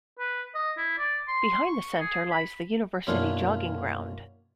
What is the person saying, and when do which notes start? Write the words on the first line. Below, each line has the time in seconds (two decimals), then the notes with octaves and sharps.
Behind the center lies the university jogging ground.
0.19 B4
0.55 D#5
0.77 E4
0.98 D5
1.28 C6
1.67 C#6
2.00 G#4
2.31 B5
3.07 F#2 B2 A#3 D4 E4 F4